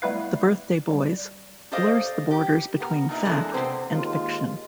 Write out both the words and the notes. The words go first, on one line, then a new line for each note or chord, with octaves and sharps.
"The Birthday Boys" blurs the borders between "fact" and "fiction".
G3 A3 B3 E4 B4 F5
G3
G4 A4 C5 D5 D#5 F5
G4
B3 A#4
A#2 D#4 E4
E3 G#3 D4 A4 A#4
C3 B3 C4 G4 C5
D#2 G#3 F4